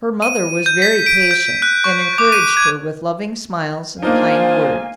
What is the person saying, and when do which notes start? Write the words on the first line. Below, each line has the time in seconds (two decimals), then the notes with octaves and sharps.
Her mother was very patient and encouraged her with loving smiles and kind words.
0.22 D#7
0.66 G6
0.82 B6
1.06 D7
1.31 G6
1.62 F#6
1.84 C#6
2.18 D6
2.32 D#7
2.57 G#6
4.02 A#3 D4 D#4 F4 C5 F5 G#5